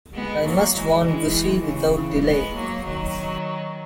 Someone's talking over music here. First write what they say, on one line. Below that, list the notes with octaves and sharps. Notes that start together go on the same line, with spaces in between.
I must warn Gussie without delay.
G#3 B3
F#3 A#3
E3 G#3
E3 G#3
C#3 E3
G#3 B3
F#3 A#3
D#3 F#3